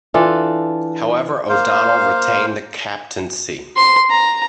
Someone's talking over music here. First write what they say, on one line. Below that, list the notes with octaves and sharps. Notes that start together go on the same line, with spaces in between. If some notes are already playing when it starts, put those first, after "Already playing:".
However O'Donnell retained the captaincy.
E3 D4 F4 A4
A#3 C5 F5
C6
A#5